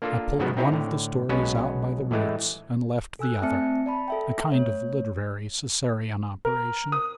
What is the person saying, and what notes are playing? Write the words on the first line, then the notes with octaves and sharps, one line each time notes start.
I pulled one of the stories out by the roots, and left the other--a kind of literary Caesarean operation.
A#3 D4 F4 A4
G#2 C#3 F3 F#3 B3 F#4
C4 D#4 E4 G#4 C#5
A2 D3
B1 G#3 B3 C#4 F#4 B4
A2 E3 G#3 A3
A4 G#5 E6 F#6
A3 C4 D5 E5 A5 C#7
D5 A5 B5
A4 E5 G5
A3 C#5
A#4
D#6